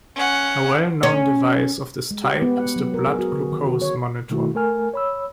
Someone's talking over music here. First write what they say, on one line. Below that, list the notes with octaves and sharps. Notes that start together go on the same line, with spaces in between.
A well-known device of this type is the blood glucose monitor.
C#4 F#5
C#4
G#3
G4
B3
F#5
F#3
A#4
G#4
F#4
D3
D#3
F#4
C#5
B2 D#3 A3 E4 F#4
A3 A#4 G#5 F6
C#5 B5 E6